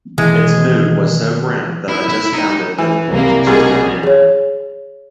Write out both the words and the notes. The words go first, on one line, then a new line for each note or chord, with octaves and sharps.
Its mood was so grim that I just found it difficult to join in.
B2 D#3 E3 G#3 A3
E4
E4
D#4
E3
C2 A#3
B2 G3 A#3 G#4
G#4 C#5